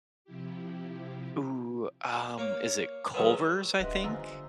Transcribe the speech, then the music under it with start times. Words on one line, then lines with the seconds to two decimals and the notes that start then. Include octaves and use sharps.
Ooh, um, is it Culver's, I think?
0.25 C3 F3 E4 G4
2.38 A#3 C#5 D6
3.14 D#3 E3 F#3 G#3 C#4
3.80 D1 D4 G4 B4 D#5 E5 F#5 C6
4.04 D3 F4 A#4 C5 G#5 E6